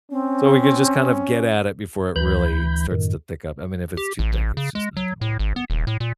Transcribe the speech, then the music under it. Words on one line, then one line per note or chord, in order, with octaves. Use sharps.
So, we could just kind of get at it before it really starts to pick up, I mean, if it's too thick, it's just not gonna work, but, yeah.
C4 C#4
D2 E3 B5 G6
F#2 A2 D#3
G4
A1
A1
C#3
G#3
F#3
A2
G#1
B3
D#1
A2
A#2